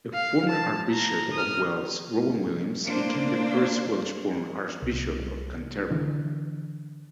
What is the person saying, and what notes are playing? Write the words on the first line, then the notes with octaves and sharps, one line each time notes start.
A former Archbishop of Wales, Rowan Williams, became the first Welsh-born Archbishop of Canterbury.
F5
A5
A#5
D#6 F6
A#3 D4 C5
C2
D3 E3 D4